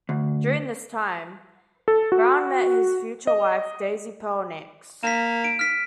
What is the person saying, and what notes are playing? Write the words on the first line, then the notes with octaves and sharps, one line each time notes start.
During this time, Brown met his future wife, Daisy Pearl Nix.
D2
A4
F#4
D#5
A#3 B6 E7
D7
F6 B6